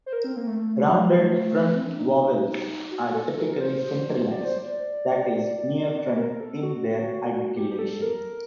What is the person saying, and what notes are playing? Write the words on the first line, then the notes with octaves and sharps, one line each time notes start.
Rounded front vowels are typically centralized, that is, near-front in their articulation.
C5
A#4
C4
A#3
A3
A3
G3
A3
G3
A3
A3
A3
A3
A3
C4
D4
D#4
F#4
A4
A#4
A#4
C5
C5
D5
C5
D5
A#4
A4
F#4
G4
G4
A4
A#4